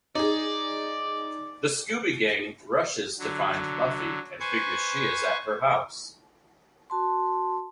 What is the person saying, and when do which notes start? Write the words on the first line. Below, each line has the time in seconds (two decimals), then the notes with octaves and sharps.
The Scooby Gang rushes to find Buffy and figures she is at her house.
0.15 D#4 G#4 D5
3.19 D3 F#3
4.40 B4 C5 G#5 C#6
6.90 F#4 A5 C6